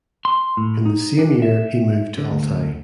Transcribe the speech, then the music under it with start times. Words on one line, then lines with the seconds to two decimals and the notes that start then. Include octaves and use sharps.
In the same year he moved to Altai.
0.25 C6
0.57 A2
0.85 D#4
1.19 D4
1.42 E5
2.18 D3
2.31 D2